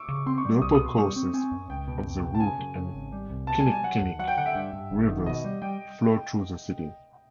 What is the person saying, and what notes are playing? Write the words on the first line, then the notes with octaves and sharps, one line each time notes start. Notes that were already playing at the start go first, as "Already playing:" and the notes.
The upper courses of the Root and Kinnickinnic Rivers flow through the city.
Already playing: C#6 D6 E6
C#3
C4 C6
C#6
G3
C2 D#6
D#6
B2
C6
G3 C#6
C4
C4 G#5
F#2
C#2 G5
B2
C#2
B2
A5
C#3 G#5
F#2
C#3
G#1
G3
C2
B2 A5
G#5
G3
G#5
F#3 F#5
D#2
F#3 F#5
G5
D3 F#5
E5
G2
G2
G1
D#3
B2 D#5
G3
G3 G5